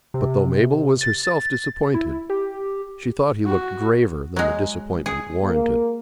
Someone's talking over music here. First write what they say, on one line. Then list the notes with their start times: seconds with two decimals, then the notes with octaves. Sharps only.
But though Mabel was herself disappointed, she thought he looked graver than the disappointment warranted.
0.14 C3
1.01 A6
1.94 E4
2.30 G4
3.46 F#4
4.36 F#3 G#3
5.06 G#4
5.44 A#3